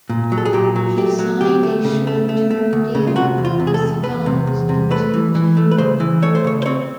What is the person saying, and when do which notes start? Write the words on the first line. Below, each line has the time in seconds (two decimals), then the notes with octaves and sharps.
He signed a short-term deal with the Dons until January.
0.10 A#2
0.32 F#3
0.38 A4
0.45 G#4
0.53 A#2 G4
0.76 F#3
0.97 A3 G4
1.19 F#3
1.41 D2 G4
1.63 A3
1.84 C#3
2.07 A3
2.29 A3
2.51 A3
2.73 D2
2.95 C#3
3.07 F4
3.16 C3 F#4
3.38 E2
3.45 F4
3.60 C3
3.67 G#4
3.74 A4
3.81 E2
4.03 E2 B4
4.26 C3
4.47 E2
4.69 C3
4.91 A3 B4
5.14 E3
5.35 E3
5.57 A3
5.71 B4
5.78 C#3 C5
6.00 E3
6.22 A3 C#5
6.35 C5
6.44 C#3 C#5
6.62 C5
6.66 C4 C#5